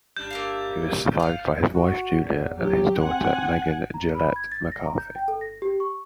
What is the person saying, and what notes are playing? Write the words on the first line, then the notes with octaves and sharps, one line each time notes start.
He was survived by his wife Julia and his daughter Megan Gillette McCarthy.
G3 D4 G6
A#3 E5 F5
F4 F5
F#4
E2
F#3 G4
C4 F#5 G#5
A#5
B5
G#6
A6
A#6
A#5
G6
G5
A4
A#6
G4
C#6